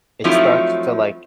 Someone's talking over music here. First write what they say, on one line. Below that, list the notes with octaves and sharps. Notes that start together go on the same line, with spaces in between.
it's starts to, like,
F3 F#3 A3 C4 D#4 E4